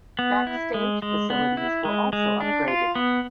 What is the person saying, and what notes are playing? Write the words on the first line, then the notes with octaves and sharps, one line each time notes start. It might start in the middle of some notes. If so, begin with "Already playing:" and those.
Backstage facilities were also upgraded.
B3
E4
G#3
G#3
B3
E4
G#3
G#3
D4
F4
B3